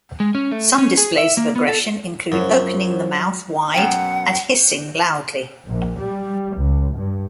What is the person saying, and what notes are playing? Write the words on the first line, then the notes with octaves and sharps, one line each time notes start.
Some displays of aggression include opening the mouth wide and hissing loudly.
G#3
C#4
A3
C#4
G#4
E5
A#3
B3
A4
F#2 F#3 G#3 F4 C5
F#2 B2 F#5 G5
A#1
G3
C#2
G2